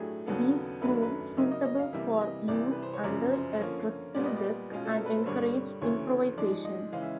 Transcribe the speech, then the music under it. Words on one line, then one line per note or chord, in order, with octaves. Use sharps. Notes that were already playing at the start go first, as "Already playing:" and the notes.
These proved suitable for use under a trestle desk and encouraged improvisation.
Already playing: A2 F#3 A3 D4 G4 G#4
D#2 C#3 F#3 B3 D4 A4
F#2 D#3 F#3 A3 D4 B4
A#4
B4
C#3 F#3 A#3 D#4 E5
D#5
D#5
F5
C3 E3 G3 A#3 E5
D#5
C2 C3 E3 D5
B4
C5
C#5
F#2 C#3 F3 D5
C5
C5
D3 F3 A#3 C#4 F4 C#5
A#2 G3 B3 D5
D#5
D5
B2 G#3 C#4 F4
A4
A#4
B4
C5
G2 D3 G3 A#3 D4 C#5
D2 C#3 E3 A3 C#5
G#2 F3 G#3 D5
D#5
C#3 E3 G#3 C#4 F5
E5